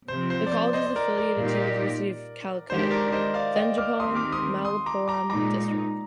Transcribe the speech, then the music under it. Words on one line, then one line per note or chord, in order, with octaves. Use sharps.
This college is affiliated to University of Calicut, Thenjipalam, Malappuram District.
C3 F3 C4 C5
C5
D5
C5
C5 D#5
D#5
A#4 D5
A#4 D5
A#2 G3 A#3 D#4 G4
D#3 G#3 D4 G4 C5
A#4 D5
C5 D#5
D5 F5
D#5 G5
D6 F6
D#2 D#3 G#3 C4 G4 C6 D#6
D6 F6
C6 D#6
C6 D#6
A#5 D6
A#5 D6
A#2 G#3 D#4 A#5 D6